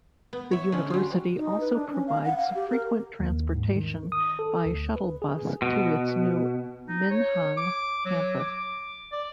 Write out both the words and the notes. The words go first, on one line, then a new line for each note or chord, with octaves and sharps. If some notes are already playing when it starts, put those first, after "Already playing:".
The University also provides frequent transportation by shuttle bus to its new Minhang Campus.
B3
C#5 E5
D3 G#3 C#4
G3 F4 F#4
D#4
B4
D4
C#4
F5
F#5
F5
G4
A#4
D#2
G#2
D#3
D#6
A4
D2
B4
G#4
B2
D#4
C#5
D6
F#3
D6
D5